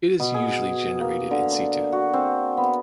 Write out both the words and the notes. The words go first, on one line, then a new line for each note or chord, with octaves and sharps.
It is usually generated in situ.
B2
G#4
A#3
D3
D5
F#4
C4
B3